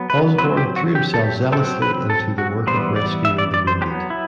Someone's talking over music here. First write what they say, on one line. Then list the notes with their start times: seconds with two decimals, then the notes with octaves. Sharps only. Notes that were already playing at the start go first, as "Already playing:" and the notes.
Osborne threw himself zealously into the work of rescuing the wounded.
Already playing: F#3 B3
0.10 B4
0.38 F#3 C4 B4
0.57 G4
0.76 F#4
0.95 G4
1.14 A4
1.24 G4
1.52 C4 A4
1.56 F#3
1.82 B4
2.10 A4
2.38 F#4
2.67 E3 G3 B3 C5
2.96 D5
3.25 E5
3.38 D5
3.54 D5
3.67 C5
3.81 F#3 G4
3.86 B3
4.10 E4